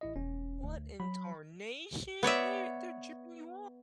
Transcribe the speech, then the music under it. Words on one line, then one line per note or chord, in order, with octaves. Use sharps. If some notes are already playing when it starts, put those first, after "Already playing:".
What in tarnation? They're they're gypping you off.
A1 E4 D#5
E1 C#4
D2
F#3 B5
B3 C#5 D5 E5